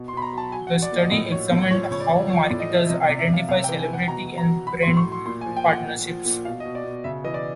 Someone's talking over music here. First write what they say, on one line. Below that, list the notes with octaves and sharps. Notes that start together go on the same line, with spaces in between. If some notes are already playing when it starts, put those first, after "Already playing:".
The study examined how marketers identify celebrity and brand partnerships.
Already playing: B2
C6
B2 B5
A#5
F#3 A5
F#3 G#5
F#5
F#3
D5
A#2
D#5
A2 D#5
F#3 C#5
A2
F3 C#5
C#3 C#5
D5
F3
F3 C#5
D5
A2
D#5
F3 E5
C3 D#5
D5
C3
E5
C3
F5
C3 F5
G5
E3
G#5
E3 F#5
B2 A#5
F#3
A#5
F#3
F#3 B5
C6
A2
C#6
F#3 C6
A#2 C6
G#5
F3
G5
A#2
F#5
F3
F3
A#2
B2 F5
D#5
B2
D5
B2
C#3 E5
E3 D#5
D5